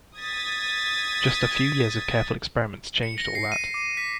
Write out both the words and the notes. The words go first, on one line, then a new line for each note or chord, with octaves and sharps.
Just a few years of careful experiments changed all that.
D#6 G#6 A6 B6
C#7
A#6
C7
D#7
D6
B6